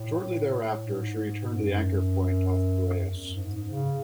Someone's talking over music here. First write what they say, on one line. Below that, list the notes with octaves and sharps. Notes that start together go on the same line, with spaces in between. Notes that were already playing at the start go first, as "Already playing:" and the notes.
Shortly thereafter, she returned to the anchor point off Piraeus.
Already playing: A2
G#2
F#2
E2
F#2
G#2
G#2
C#3